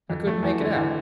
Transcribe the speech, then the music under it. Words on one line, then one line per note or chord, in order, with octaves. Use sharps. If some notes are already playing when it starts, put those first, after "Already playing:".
I couldn't make it out.
F2
A3
E2
D3
E2